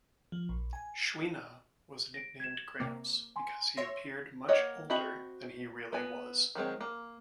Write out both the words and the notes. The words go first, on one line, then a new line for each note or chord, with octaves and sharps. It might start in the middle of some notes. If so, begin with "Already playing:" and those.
Chouinard was nicknamed "Gramps" because he appeared much older than he really was.
F3
A#1
G#5
A#6 D7
G#6 E7
C3 A#3 D6
G#5 C6
C#5 E5 C6 A#6
A#3 C#5 D#5 F#5
C4 F#4 D#5 E5 B5
B3 G#5
D#3 F#3 G#3 C4
A#3